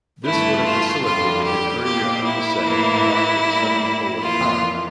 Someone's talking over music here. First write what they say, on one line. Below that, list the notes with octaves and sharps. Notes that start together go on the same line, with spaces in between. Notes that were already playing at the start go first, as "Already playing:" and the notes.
This would have facilitated an earlier onset of the Antarctic Circumpolar Current.
G2 E3 A3 E4
F4
F2 D3 G3 F4
G4
A#2 F3 A#3 G4
E4
A2 E3 A#3
A2 G3 A#3
F2 E3 A#3 F4